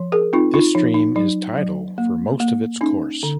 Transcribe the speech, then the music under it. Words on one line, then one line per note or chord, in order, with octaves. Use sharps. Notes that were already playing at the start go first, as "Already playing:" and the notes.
This stream is tidal for most of its course.
Already playing: F3
G#4 A#4
C4 D#4 F4
D#4 F4
F3 D#4
D#4
F#3 D#4
F#3
A#3
A#3
C#4 D#4
D3